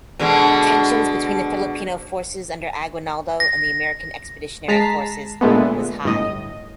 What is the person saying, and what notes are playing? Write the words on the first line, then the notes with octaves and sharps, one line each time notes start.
Tensions between the Filipino forces under Aguinaldo and the American Expeditionary forces was high.
B2 D3 G#3
A#6
G#3 A5 A#5 B6 C7
A#2 D3 G#3 A3 B3
G1 A2 D#5